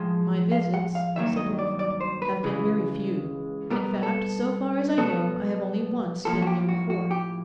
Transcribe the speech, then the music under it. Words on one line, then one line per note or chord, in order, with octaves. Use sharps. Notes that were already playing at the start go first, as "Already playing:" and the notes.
'My visits,' said Lawford, 'have been very few--in fact, so far as I know, I have only once been here before.'
Already playing: A2 F3 G#3
F5
F#5
F5
G2 D#3 F#3 A#3 E5
D#5
D5
D5
C5
B4
C#2 C#3 E3 G#3
B2 G3 B3 A#4
A4
B2 F#3 B3 A4
A2 F3 A#3 A4
F#4
G4
F#4
F#4
G4